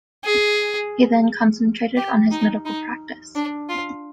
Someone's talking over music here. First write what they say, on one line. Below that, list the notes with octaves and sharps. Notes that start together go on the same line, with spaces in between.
He then concentrated on his medical practice.
G#4
G4
D#4
D#4
D4
F4